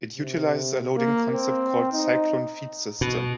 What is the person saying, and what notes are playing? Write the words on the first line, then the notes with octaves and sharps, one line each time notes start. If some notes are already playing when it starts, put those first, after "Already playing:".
It utilizes a loading concept called the "Cyclone Feed System".
C3
A#3
C4
D#4
B2